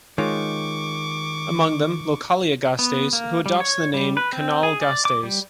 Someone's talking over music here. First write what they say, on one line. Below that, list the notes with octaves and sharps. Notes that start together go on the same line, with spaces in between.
Among them, Localia Gasteiz, who adopts the name Canal Gasteiz.
D#3 G#3 F4 C#5 C#6 D6
B3
A#3
G3
C#5
G3
B4
C4
G#4
D5
D6
G3